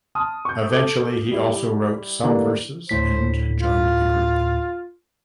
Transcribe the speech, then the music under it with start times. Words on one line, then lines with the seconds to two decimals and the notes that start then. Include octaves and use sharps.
Eventually he also wrote some verses and joined the group.
0.15 A5 C6 D#6 F6
0.45 C#6 G6
0.70 A4 D6
1.31 G3 E4
2.24 D3 E3 G3 A#3 D4 G4
2.89 D2 A2 C5 B6
3.57 F4